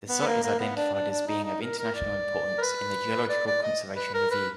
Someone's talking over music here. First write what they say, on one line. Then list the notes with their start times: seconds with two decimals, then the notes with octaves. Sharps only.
The site is identified as being of international importance in the Geological Conservation Review.
0.09 B3
0.22 B3
0.27 A#3
0.43 A#3
0.59 B3
0.77 D4
0.94 D4
1.10 D4
1.28 D#4
1.44 D#4
1.62 A#4
1.78 A#4
1.94 D5
2.58 A#4
2.62 B4
3.29 D5
3.47 D5
3.62 D#5
3.96 B4
4.14 A#4
4.31 B4